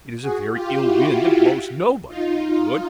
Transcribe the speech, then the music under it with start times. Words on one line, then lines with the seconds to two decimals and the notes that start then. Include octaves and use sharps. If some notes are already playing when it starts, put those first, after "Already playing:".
It is a very ill wind that blows nobody any good.
0.21 F#4 G#4
0.53 F4 G4
0.84 E4 F#4
2.09 D#4 F4